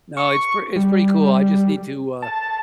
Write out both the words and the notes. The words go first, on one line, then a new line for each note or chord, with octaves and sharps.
No, it's p it's pretty cool, I just need to, uh,
C#6
G3
A5